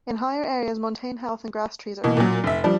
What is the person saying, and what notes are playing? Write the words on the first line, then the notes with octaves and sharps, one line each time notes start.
In higher areas montane heath and grasstrees are found.
B2 E3 A#3
A#2 F#3
F1 E5
F3 G3 D4